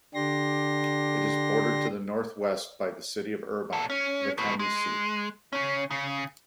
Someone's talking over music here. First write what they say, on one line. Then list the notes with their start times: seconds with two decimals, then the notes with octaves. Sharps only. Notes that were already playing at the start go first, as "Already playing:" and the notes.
It is bordered to the northwest by the city of Irvine, the county seat.
0.15 D3 D4 G4 C6 A#6
3.73 A#2 A4
3.90 C#4
4.38 A3 B3
4.59 G#3
5.53 C#3 C#4
5.91 C#3